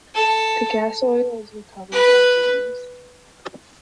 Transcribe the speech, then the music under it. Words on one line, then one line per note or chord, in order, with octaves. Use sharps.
The gas oil is recovered and re-used.
A4
B4